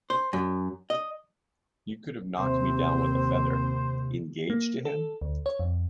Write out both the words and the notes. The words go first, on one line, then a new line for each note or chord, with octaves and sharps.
You could have knocked me down with a feather. "Engaged to him?"
C5
F#2
D#5
D#2 C3 C4 C5
A#3
A4
D2
C#5
F2